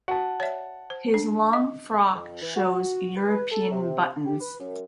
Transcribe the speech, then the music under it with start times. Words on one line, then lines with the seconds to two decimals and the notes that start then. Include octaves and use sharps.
His long frock shows European buttons.
0.08 F#4 F#5 A5
0.40 C#5 D5 E5
0.90 C5
1.14 D4
1.53 D#5
2.14 F2
2.41 E3
2.56 F#4
3.17 B4
3.52 A4
3.71 C3
4.26 G4
4.40 B4
4.59 F#2